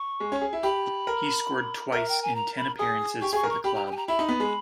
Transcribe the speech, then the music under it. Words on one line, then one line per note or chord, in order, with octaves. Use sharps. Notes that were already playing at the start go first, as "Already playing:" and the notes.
He scored twice in ten appearances for the club.
Already playing: C#6
G#3
C#4
G#4
E4
G4 B5
A#4
A#4 E5
G5
G#5
A#5
B5
G#4 D#6
G4 C#6
G#4 C#6
A#4
C#6
G4 B5
A#5
B5
G#5
A#5
E4 B5
D#4
B3
G#3